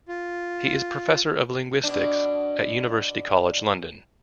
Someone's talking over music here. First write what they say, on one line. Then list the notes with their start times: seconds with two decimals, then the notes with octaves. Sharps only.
He is Professor of Linguistics at University College London.
0.08 F4
1.84 B2 D4